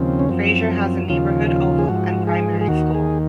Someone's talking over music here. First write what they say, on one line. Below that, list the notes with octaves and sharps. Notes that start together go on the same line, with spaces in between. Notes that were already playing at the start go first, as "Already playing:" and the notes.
Fraser has a neighbourhood oval and primary school.
Already playing: D#2 C#3 F3 C4
C#4
F#2 F3 C4
D#2 C#3 F3 F4
F4
G#4
G#2 F3 F#4
G#4
G#4
D#2 D#3 F#4
G#4